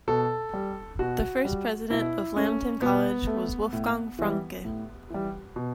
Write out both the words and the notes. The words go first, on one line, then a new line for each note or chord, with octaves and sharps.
The first president of Lambton College was Wolfgang Franke.
B2 A4
G3
B2 F#4
G3
B2 E4
A3 C#4
B2 B3
A3
A2
E3 G3
A2
E3 G3
B2